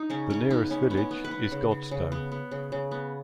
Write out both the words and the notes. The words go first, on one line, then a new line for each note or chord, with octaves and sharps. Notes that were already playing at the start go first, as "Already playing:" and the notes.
The nearest village is Godstow.
Already playing: D#4
C#3 C#4
C#3 C#4
B3 D#4
B3 C#4
B3
C#4
B3
B4
B3
C#3
C#3
C#3
B3
B3
C#3
C#3
B3